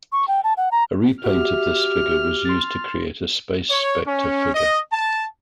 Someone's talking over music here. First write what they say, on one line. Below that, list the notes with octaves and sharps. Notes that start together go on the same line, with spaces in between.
A repaint of this figure was used to create a Space Specter figure.
C#6
G5
A5
F#5
A#5
F#4 G4 E5 F6
C6 A6
C#5
C#4
D#5
A5